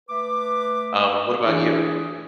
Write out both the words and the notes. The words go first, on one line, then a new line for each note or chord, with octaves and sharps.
Um, what about you?
A3 B4 D6
E3 D4 G#4